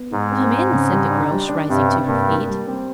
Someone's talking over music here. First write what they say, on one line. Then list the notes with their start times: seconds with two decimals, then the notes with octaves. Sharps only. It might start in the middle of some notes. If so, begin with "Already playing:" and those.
'Come in,' said the Groac'h, rising to her feet.
Already playing: B3
0.12 G#2 G#3
0.31 C4
0.51 C4
0.71 C#3
0.91 G3
1.10 D4
1.30 G3
1.49 D4
1.69 G2 C3
1.88 C3
2.07 G2 A#3
2.28 A#3
2.47 G3
2.67 C4